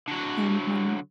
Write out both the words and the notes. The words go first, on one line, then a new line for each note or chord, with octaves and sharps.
and, um
D3 F#3